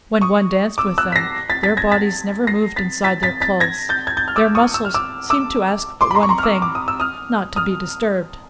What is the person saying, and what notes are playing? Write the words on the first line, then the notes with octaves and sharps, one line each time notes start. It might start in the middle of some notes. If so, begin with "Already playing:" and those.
When one danced with them their bodies never moved inside their clothes; their muscles seemed to ask but one thing--not to be disturbed.
C#6 D#6
D6 E6
E6 F#6
B6
A#6 C7
A6 B6
A6 B6
G#6 A#6
A6 B6
A#6 C7
A6 B6
A6 B6
A6 B6
A6 B6
G#6 A#6
G6 A6
G#6
G6 A6
F6
D6 E6
C#6 D#6
E6
F6
D6 E6
D6 E6
C6 D6
B5
A#5 C6
C#6
A#5 C6
F6
D6 E6
D6
D#6
E6
D#6 F6
D#6 F6